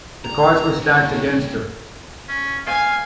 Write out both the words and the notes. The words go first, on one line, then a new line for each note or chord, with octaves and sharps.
The cards were stacked against her.
C#2 D3 G3 A#5
G2 D#3 C#4 D#4 C#5
C#4
F5 G#5